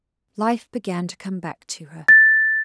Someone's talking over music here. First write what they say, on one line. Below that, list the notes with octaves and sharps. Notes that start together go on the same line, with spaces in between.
Life began to come back to her.
A6